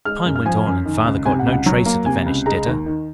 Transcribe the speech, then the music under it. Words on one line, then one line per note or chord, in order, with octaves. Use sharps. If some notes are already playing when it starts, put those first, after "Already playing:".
Time went on and father got no trace of the vanished debtor.
G#3 F6
F#2
F6
F3 G#5
F#2
D#3
C#2
C3 G#5
F#5
C#2
F#5
F#3
A#3
C3 G#5
C#2
G#3 A#5
D#2
D#3